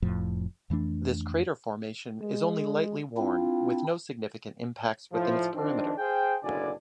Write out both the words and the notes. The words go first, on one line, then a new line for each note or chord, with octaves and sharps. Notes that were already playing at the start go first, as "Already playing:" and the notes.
This crater formation is only lightly worn, with no significant impacts within its perimeter.
F1 F2 A2 F3
F2 E3 A3 D4
G#3
C4 D4 E4 F4
A2 F3
D#3 F3 C4 D4
G#4 C5 F5 G5
F#1 B2 D3 D4 D5 G#5